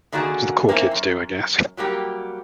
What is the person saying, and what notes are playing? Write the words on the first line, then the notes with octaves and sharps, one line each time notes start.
it's what the cool kids do, I guess
D3 D#3 A#3 F#4 G#4
A#3 C4 C#4 E4
F#2
F#3 G3 A#3 G4